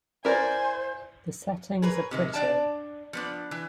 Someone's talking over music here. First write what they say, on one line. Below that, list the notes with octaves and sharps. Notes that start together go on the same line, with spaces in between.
The settings are pretty.
E4 A#4 C5 D5 G#5
G#4 A#4 B4 C#5
C3 D#3 G#3
D4 D5 G5 A5
F3 B3 D4
E3